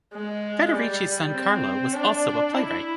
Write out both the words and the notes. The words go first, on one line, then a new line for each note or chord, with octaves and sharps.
Federici's son Carlo was also a playwright.
G#3
G3
C4
D4
E4